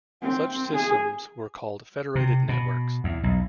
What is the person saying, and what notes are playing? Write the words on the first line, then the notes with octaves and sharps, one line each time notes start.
Such systems were called "federated networks".
C4
G#4
C3
B2
E2
B1